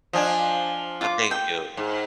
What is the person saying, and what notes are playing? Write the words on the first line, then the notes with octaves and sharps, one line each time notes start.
Uh, thank you.
F3 D4 D#5 G#5
F4 D6
G5
G#2